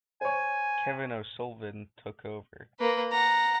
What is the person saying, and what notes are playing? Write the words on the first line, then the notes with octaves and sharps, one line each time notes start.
Kevin O'Sullivan took over.
C5 C#5 G#5
A#3 B4
F#5 A#5